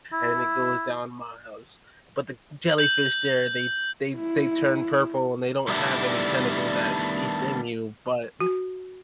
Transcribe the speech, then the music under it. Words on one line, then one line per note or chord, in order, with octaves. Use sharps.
and it goes down miles, but the jellyfish there, they they they turn purple, and they don't have any tentacles that actually sting you, but
E4
G6 F#7
E4
D#3 G3 A3 B3 D4 E4
F#4